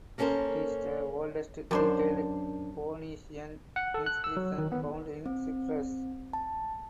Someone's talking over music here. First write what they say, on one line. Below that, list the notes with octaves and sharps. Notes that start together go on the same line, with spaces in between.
It is the oldest detailed Phoenician inscription found in Cyprus.
A#3 B3 C#4 A4 A#4 C5
F#2 D4 C5
F#5
A4
F#6
E6
F#3
D#3
B3
C4
A5